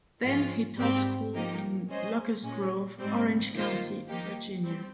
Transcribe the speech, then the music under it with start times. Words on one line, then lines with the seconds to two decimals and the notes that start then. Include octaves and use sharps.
Then, he taught school in Locust Grove, Orange County, Virginia.
0.22 G#2 F3 G#3 C#4 F4
0.77 G#2 G3 C4 G4
1.33 F3 A#3 D#4 G4
1.88 G#3 C#4 G#4 C5 D#5
2.43 A#2 G#3 C#4
2.99 G#2 G3 C4
3.54 D#3 A#3 F4 C5
4.08 F3 A#3 D#4 G4
4.63 G3 C4